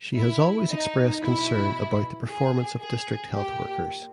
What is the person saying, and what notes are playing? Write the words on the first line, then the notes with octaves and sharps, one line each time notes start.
She has always expressed concern about the performance of district health workers.
E4
D#4
B2 E4
G#4
G#4
A#2 G4